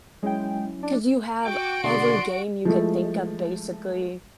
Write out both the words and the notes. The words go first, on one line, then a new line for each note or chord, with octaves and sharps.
'cause you have every game you could think of basically,
F#3 G#3 C#4 E4 G5
D4
F#4 G5 D6 D7
B2 D3 G#4 D5 C6
F3 G#3 A3 E4